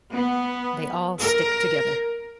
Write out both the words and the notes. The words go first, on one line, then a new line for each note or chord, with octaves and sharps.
They all stick together.
B3
A#4